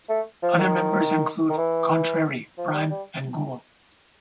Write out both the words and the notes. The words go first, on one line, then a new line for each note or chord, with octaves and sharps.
Other members include Contrary, Prime and Ghoul.
A3
F3
D#3
D#3
E3
F3
G3
G3